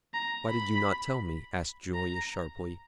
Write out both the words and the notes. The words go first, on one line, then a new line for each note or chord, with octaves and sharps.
"Why did you not tell me?" asked Julius, sharply.
A#5
B5
A#5